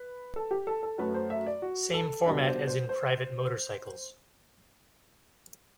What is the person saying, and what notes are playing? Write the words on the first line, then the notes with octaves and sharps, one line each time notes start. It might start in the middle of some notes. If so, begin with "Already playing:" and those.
Same format as in private motorcycles.
Already playing: B4
A4
G4
A4
A4
F#2 F#3 A3 B4
C5
E5
D5
F#4
A4
B2 G3 D4 B4
C5
C5
C5